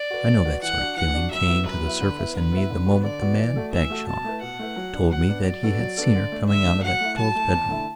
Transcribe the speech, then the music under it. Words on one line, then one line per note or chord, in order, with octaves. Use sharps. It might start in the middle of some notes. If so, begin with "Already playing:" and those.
I know that sort of feeling came to the surface in me the moment the man Bagshawe told me that he had seen her coming out of that fellow's bedroom.
Already playing: D5
F#4 B4
A3
F#4 B4
E3 F#5
D4 F#4
E3 F#5
D4 F#4
F#2 E5
F#3 B3 E4
F#2 B4
F#3 B3 E4
D3
B3 E4
D3 B4
B3 E4
D3
B3 F#4
D3 D5
B3 F#4
E3
A3 F#4 A4
E3 E5
A3 F#4 A4
B2 A5
A3 E4 B4
B2 F#5
A3 E4 B4
F#3
B3 D4
F#3 F#5
B3 D4
F#3 D5
B3 D4 F#4 A4
F#3
B3 D4 F#4 A4
D3
A3 D4
D3 E5
A3 D4
F#3 F#5
A3 E4
F#3 A5
A3 E4
E2
D3 A3 E4